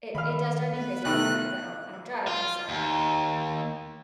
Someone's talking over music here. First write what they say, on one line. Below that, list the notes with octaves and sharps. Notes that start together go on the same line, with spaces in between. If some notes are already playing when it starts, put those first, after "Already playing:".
it it does drive me crazy living here 'cause I don't I don't drive 'cause, uh,
D#3 F5 B5
B3 B4
C2 D#3 A3 F#6
F4
D#2